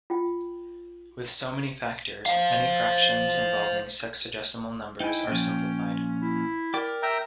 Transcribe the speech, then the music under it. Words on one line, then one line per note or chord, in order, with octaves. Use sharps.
With so many factors, many fractions involving sexagesimal numbers are simplified.
F4 G5
C5 F5
D#4 E4 G5 G#5
A#2 F3 C#4
E4
G4 A#4 D5
E5 G5 A#5